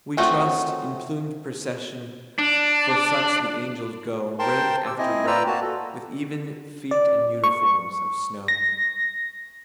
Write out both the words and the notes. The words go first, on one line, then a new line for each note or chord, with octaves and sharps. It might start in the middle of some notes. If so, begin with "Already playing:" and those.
We trust, in plumed procession, For such the angels go, Rank after rank, with even feet And uniforms of snow.
F3 A3 C4 C#4 F#4
D4
A#4 C5 G5 A5 C6
G4 E6
C4 E4 D#5 G#5
F4 B4 D5 G5 A#5 E6
A#3 F#4 A5
A4
D5
C#6
A#6